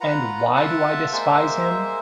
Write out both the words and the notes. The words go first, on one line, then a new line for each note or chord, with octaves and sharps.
And why do I despise him?
F4 B4 F#5 A#5
F4 E5 F#5 A5
G#3 A#3 C5 E5